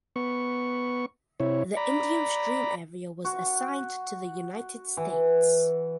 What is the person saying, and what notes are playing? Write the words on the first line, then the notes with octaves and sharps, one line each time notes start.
The Indian Stream area was assigned to the United States.
B3 C#6
C3 E4 C#5
D5 A#5 B5
F#4
E3